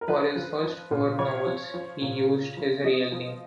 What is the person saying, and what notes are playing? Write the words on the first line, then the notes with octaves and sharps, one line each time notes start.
For his first four novels, he used his real name.
A#4
F3 B4
F3
F3
A#2
F3 C#5
F3
F3
A#2
C#3
F3
F3 D#5
F3